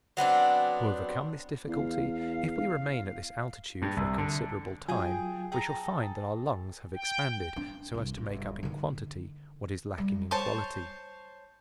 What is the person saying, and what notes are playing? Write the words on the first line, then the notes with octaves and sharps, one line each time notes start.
To overcome this difficulty, if we remain at this altitude for a considerable time, we shall find that our lungs have expanded, so as to make up in quantity what is lacking in quality.
F#3 B3 C4 D4
E2 F5
G2
C2
D3
F#3 F4 G#4 G5 G#5
G#4 A4 G5 A#5
G5
D4
C2 G2
G1
D3 D#3
G3
C5 C#5 A5